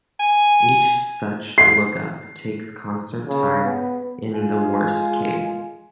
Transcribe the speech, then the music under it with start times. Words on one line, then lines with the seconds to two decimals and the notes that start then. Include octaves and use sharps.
Each such lookup takes constant time in the worst case.
0.20 G#5
1.58 C7
3.28 C#3
3.64 B3
4.33 G#3 F4 G#5